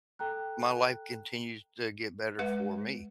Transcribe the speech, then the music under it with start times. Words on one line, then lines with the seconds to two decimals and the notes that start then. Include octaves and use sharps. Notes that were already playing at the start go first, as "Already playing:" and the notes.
my life continues to get better for me,
0.19 A4 G5 A#5 F#6
2.39 G#3 B4 E5 F#5